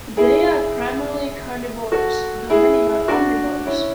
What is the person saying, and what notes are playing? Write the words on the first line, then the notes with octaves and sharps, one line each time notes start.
They are primarily carnivorous, though many are omnivorous.
E4 G#4
F#4 A4
E4 G#4
D4 F#4
C#4 E4